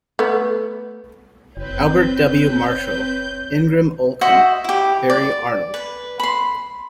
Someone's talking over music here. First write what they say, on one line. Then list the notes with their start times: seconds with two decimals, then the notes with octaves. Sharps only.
Albert W. Marshall, Ingram Olkin, Barry Arnold.
0.19 A3 B3
1.57 F#1 C4 B4 C#5 G6
4.21 F#4 C5 D#5 E5
4.64 E4 G4
5.10 D5
5.74 B4
6.20 B5 C6